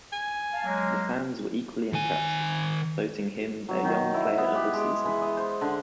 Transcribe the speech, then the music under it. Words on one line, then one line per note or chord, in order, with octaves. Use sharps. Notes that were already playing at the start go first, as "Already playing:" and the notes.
The fans were equally impressed, voting him their Young Player of the Season.
G#5
F5 A5
F#3 G#3 A#3
D#3 G#5
F#3
D#3
E4
B3
G4
G#3
E3
D#5
C5
D3